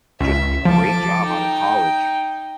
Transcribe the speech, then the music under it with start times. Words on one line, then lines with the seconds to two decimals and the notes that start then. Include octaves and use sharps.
just a great job out of college,
0.21 C#2 E5
0.65 F3 A4 D6
1.25 D#4 G5